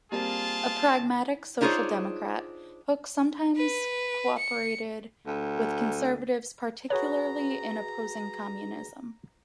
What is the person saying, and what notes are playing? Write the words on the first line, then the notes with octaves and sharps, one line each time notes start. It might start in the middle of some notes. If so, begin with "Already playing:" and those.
A pragmatic social democrat, Hook sometimes cooperated with conservatives, particularly in opposing communism.
G3 A#3 C4 F4 G#4 A5
D4 D#4 F4 G#4 C5 C#5
B4
C#7
D2
F#4 G#4 B4 C#5 A#5